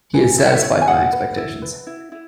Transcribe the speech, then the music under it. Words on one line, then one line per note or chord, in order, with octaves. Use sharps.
He has satisfied my expectations.
B4 G#5
E4 E5
F#5
E5
E4 C#5
G#5
G#4 F#5
B4
E4
B4
E4
E4